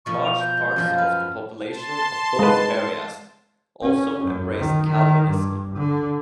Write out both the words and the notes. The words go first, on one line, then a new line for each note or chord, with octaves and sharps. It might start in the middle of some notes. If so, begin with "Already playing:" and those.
Large parts of the population of both areas also embraced Calvinism.
B2 F3 C#6
F7
G6
G#3
F#2 F3 A#3
B4 F6
A5 C6
G#3 B4
C#4
F#2
D#3
D#3
G2
D3